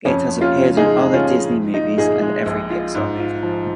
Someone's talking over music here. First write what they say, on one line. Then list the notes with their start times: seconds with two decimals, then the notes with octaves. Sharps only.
It has appeared in other Disney movies and every Pixar movie.
0.05 F2 C#4
0.28 F2
0.41 C#4 F4
0.54 C#3
0.77 G#3 D#4 G#4
1.02 F2
1.14 C#4 F4
1.25 F2
1.50 A#1
1.74 D#4 F4
1.98 A#2 D#4 G#4
2.22 G#3
2.46 A#1
2.70 F4
2.95 G#2
3.19 F4
3.43 F3